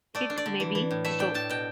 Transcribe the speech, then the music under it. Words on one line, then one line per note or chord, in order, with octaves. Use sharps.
It may be so.
A3 D5
D4
D5
D3
E3
E3
A2
A3 E5
D4 G5
A2 A5
B2 G5